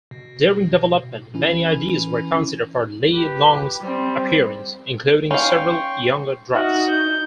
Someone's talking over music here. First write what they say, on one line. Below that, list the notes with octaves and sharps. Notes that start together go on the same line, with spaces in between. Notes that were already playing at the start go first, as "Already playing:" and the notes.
During development, many ideas were considered for Li Long's appearance, including several younger drafts.
B2
E3 C#4 E4
G4 B4
G3 C4
C#4 F5 G5 C6 C#6
D#4 F#4 E5 F6 F#6
G6